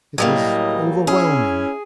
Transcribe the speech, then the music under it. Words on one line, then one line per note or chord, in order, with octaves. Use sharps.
It was overwhelming.
A2 F#3 G3 A#3 D#5
C#4 E4 G#4